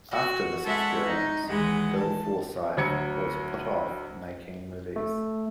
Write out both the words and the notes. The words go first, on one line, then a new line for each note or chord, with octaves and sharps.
After this experience Bill Forsyth was put off making movies.
F#4
G#3 A4 C#5 E5 F#5
D#4
D#2 E3 G#3 F#5
A5
D2 F#3 G#6 C#7
A3